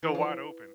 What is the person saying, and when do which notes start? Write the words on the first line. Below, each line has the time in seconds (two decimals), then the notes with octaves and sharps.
go wide open.
0.03 E3
0.15 F3